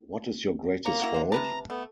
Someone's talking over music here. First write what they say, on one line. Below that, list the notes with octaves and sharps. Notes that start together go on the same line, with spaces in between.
What is your greatest fault?
A#3 C#5 A#5
E4 F#4 A#4
D3 C5
C3 B4 A5 A#5
A3 B3